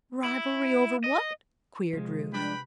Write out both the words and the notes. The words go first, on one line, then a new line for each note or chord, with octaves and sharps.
"Rivalry over what?" queried Ruth.
E4
D#5
C3 F3 G#3
G3 D4 B4 G5 B5